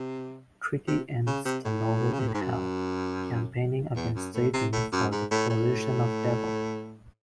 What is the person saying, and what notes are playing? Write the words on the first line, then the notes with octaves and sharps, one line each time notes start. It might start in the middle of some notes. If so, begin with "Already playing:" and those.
Tricky ends the novel in Hell, campaigning against Satan for the position of Devil.
Already playing: C3
C3
C#3
C3
A2
C#3
C3
A2
G#2
F#2
E2
F#2
A2
C3
A2
F#2
G#2
A2
A2